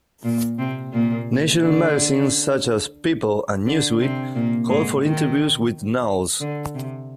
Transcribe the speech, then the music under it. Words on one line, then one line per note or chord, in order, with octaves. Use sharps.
National magazines such as "People" and "Newsweek" called for interviews with Knowles.
A#2 A#3
C3 C4
A#2 A#3
D3 D4
D3 D4
C3 C4
A#2 A#3
G#2 G#3
D#3
D3
C3